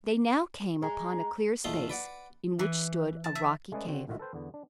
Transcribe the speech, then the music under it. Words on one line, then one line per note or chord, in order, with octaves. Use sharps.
They now came upon a clear space in which stood a rocky cave.
G#3 A#5
E2 A#2 A3 D#4 F4 F5
B4 D5 F#5
E3
A5
E5
G#3 A3 C#4 G#4 B4 D5
D3 C4 F#4
A#1 A2 D#3 F4 F#4 E5
A4 B4 C5 G5
E2 D3 B3
D4